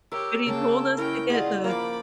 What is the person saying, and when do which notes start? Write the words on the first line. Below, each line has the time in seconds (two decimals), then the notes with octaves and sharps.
but he told us to get the
0.12 G4 A#4 C#5 E6
0.46 C#3 A#3 C#4 G5 A5
0.98 C#4 E4 A#4 C#5 G5
1.30 F4 G#4 D5 D#5 F#5
1.64 F3 A#3 F#5 A#5 B5 D6